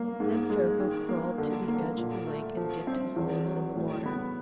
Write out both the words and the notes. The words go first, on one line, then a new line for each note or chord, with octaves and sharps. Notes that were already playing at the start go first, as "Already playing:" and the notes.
Then Ferko crawled to the edge of the lake and dipped his limbs in the water.
Already playing: A#3
G#2
G#3
D#3
A#3
D3
A#3
A#2
A3
F3
C4
E2
F#3
A2
B3